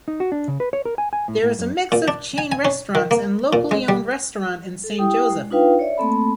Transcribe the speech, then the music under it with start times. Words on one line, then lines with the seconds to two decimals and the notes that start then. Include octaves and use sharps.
There is a mix of chain restaurants and locally owned restaurant in Saint Joseph.
0.08 D#4
0.20 F#4
0.32 D4
0.48 C#3
0.60 B4
0.73 C#5
0.85 A#4
0.98 G#5
1.13 G#5
1.28 A2
1.43 A2
1.59 F#2
1.92 A#2
2.08 D4
2.38 G#5
2.52 G#5
2.65 C#4
2.95 D#3
3.11 A#3
3.53 A#2
3.71 G#3
3.88 G3
4.84 A4
4.99 E4 G4 G5 D#6
5.30 G#3
5.51 D4 D#4 F4 B4 F5 G5
5.79 C#5 D5 E5
5.98 A3 A#3 C4 A4 A5 B5